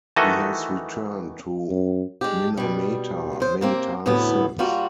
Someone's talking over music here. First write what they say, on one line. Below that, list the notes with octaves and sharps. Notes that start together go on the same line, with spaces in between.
He has returned to Minamata many times since.
D#3 E3 A3 F#4 A4 D#5
F#2
G#3 D4 G4
B2 G3
C#3 C5
C3 A#3 C4
D2 A2 C3 E3 B3
G3 A#3 F4 F#4